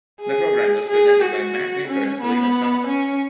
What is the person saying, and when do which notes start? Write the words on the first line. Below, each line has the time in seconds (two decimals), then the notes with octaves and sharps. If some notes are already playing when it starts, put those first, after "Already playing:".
The programme was presented by Matt Baker and Selina Scott.
0.21 G#4
0.88 G#4
1.20 F#4
1.88 C#4
2.21 B3
2.87 C#4